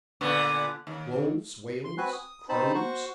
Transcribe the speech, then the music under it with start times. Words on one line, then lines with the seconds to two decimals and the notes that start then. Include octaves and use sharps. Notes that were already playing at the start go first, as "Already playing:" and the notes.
Wolves, whales, crows?
0.21 A#2 D3 B3
0.87 D#2
1.85 C6
1.98 C4 F#4 B4 G#5 F#6
2.13 D#6
2.49 C4 D#4 C5 A5 B5
2.75 F#4 C5 C#6